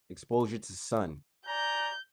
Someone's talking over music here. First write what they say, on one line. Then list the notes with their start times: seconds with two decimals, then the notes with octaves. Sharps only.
exposure to sun,
1.47 D5 G#5 A#5 G6